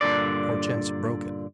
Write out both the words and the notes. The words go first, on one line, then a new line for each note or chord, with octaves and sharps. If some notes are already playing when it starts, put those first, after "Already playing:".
Hortense broke it.
G2 A#2 D3 D5